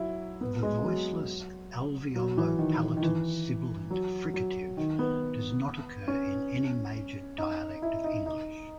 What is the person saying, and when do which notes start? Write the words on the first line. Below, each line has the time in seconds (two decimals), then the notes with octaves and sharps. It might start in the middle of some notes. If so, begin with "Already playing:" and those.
The voiceless alveolo-palatal sibilant fricative does not occur in any major dialect of English.
Already playing: F#3 E4
0.41 B3
0.63 G#3
0.84 F#3
2.16 F#3
2.37 E3
2.59 D#3
2.97 D#3
3.03 E3
3.90 F#3
4.34 F#3
4.77 D#3
4.99 B3
6.08 C#4
7.38 D#4
7.82 E4
8.04 D#4
8.26 D#4